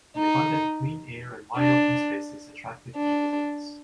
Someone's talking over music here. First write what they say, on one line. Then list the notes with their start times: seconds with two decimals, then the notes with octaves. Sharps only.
The abundant clean air and wide-open spaces attracted new residents.
0.16 D#4
1.57 D4
2.96 D4